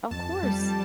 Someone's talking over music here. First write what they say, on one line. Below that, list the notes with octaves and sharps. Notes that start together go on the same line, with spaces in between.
Of course.
F2 A5
G3